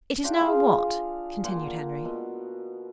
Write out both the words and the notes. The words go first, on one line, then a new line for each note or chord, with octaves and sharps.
"It is now what?" continued Henry.
D4 F4 G5
G#4 F5
A#2 F#5 C6
B2